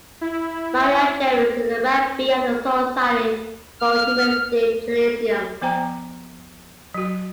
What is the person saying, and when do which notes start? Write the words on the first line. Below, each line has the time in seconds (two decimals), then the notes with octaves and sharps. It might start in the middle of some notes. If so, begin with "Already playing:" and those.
Miriam Jerris is the rabbi of the Society for Humanistic Judaism.
0.21 E4
3.80 F6
5.61 F3 B3 C5 G5 A#5
6.94 F#3 F#4